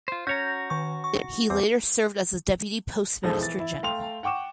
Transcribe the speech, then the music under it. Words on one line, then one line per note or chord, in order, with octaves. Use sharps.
He later served as the Deputy Postmaster General.
F4 C5
C#4 F#4 C#5 A#5 G6
D#3 C#6
C#6
E2 C4 D6
E1 F3 G#3 D#4 A4 C5
E3 A6
E4
A3 F5 G5 C6 F7
F#5 G5 C#6 D6 E7